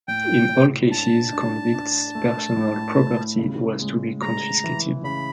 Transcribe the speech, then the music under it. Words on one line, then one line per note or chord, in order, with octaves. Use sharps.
In all cases convicts' personal property was to be confiscated.
A2 G5
A2
D4 A5
D4
D4
A3
A2
A2
C#3
G#3
G#3 A#5
E3
C#3 B5